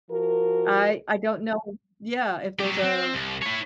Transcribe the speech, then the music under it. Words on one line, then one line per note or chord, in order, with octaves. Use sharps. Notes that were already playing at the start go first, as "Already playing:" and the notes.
I I don't know yeah, if there's a
F3 F#4 A#4
F#3 G4
C4
C2
E4 C#5